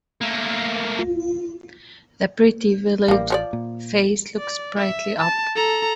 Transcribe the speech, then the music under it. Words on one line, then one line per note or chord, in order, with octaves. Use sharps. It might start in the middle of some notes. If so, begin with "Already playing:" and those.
The pretty village face looks brightly up.
A3 A#3
A1 G3 A#3
F3 C#5 D5
A#2
D5
E5
A5
A4 A#5